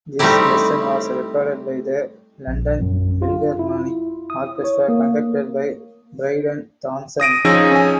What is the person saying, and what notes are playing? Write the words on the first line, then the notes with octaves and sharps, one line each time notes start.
This version was recorded by the London Philharmonic Orchestra conducted by Bryden Thomson.
G3 A3 C4 D#4 E4 G4
A#1
F#2
F4
E4
D#6
C#5
A#3
D#6 A#6 D7 D#7
F3 C#4 D#4 G#4 E6 A#6
C#4 G#5